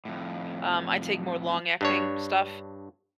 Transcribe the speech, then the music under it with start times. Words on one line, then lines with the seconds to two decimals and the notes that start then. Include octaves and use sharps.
um, I take more long-acting stuff,
0.05 F2 A2
1.81 G2 D4 C#5